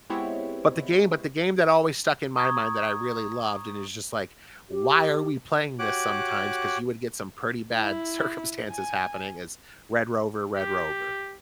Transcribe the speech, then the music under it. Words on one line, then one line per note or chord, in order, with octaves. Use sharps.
But the game but the game that always stuck in my mind that I really loved and it was just like, "Why are we playing this sometimes?" 'cause you would get some pretty bad circumstances happening is red rover, red rover.
G#3 B3 C4 E4 G4 C#5
A#5 C#6 D#6 G#6
G4
F#4 G4 C#5 D6 F#6
E4
G#5
G4